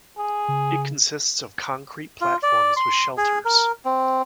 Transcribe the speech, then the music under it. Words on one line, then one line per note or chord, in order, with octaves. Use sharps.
It consists of concrete platforms with shelters.
G#4
C#3
F4
D5
C6
G#4
A#4
C4